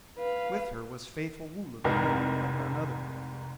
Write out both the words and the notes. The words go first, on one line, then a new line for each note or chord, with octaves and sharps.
With her was faithful Woola the hound, but none other.
B4 F5
F1 C2 G#2 D#4 A#4